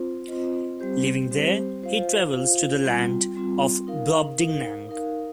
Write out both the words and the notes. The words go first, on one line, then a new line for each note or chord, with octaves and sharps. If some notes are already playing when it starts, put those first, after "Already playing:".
Leaving there, he travels to the land of Brobdingnag.
Already playing: C4 F4 C5
C4 F4 C5 D#5
G3 C4 G4 C5
G3 C4 G4 C5
F4 C5 F5
F4 C5 F5
G3 C4 F4
G3 C4 F4
D#4 A#4 F5
D#4 A#4 F5
D#4 A#4 F5